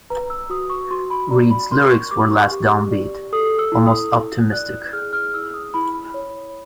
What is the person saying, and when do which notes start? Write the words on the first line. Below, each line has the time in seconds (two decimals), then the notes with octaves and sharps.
Reed's lyrics were less downbeat, almost optimistic.
0.10 B4 A#5
0.30 E6
0.50 F#4 D#6
0.70 C#6
0.91 F#4 C6
1.10 B5
1.30 D5 A#5
1.51 B5
1.72 A#4 C6
1.91 C#6
2.11 G4 D6
2.31 C#6
2.51 G4
2.91 D5
3.33 A4 D#6
3.59 E6
3.72 E4
3.86 D#6
4.13 E4
4.52 D5 F#6
4.93 G#4 F6
5.13 F6
5.34 E4 E6
5.54 D#6
5.74 E4 B5
6.14 C#5